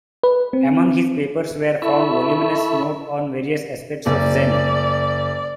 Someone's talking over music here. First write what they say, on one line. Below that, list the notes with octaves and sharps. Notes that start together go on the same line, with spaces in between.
Among his papers were found voluminous notes on various aspects of Zen.
B4
C4
E4 A4 E5 B5 C#6
F#1 D5